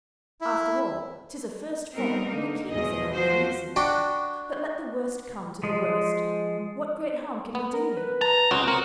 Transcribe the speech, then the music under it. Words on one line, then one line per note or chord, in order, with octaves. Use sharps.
After all tis a first fault, and the King is a man of reason; but let the worst come to the worst, what great harm can he do me?
E4
G3 B3 C4 D#4 A#4
D3 A#3 D#4
E2 B2 G#4 D#5
F3 F#4 C5
D4 F#4 G5 B5
F3 G#3
B3
A#4
B4
A5 A#5
C#2 C4 C#4 F#4 D#5
C4 F#4 A#4